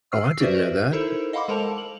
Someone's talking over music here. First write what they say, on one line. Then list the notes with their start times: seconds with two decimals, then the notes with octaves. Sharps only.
Oh, I didn't know that.
0.12 E6 F6 C7
0.40 F#4 G4 B4 C5 D5 E5
0.92 D#4 E4 A4 A#4 C5
1.33 D#5 F5 F#5 B5 C6 D6
1.48 G#3 A4 A#4 C5 A5 F7
1.78 F#7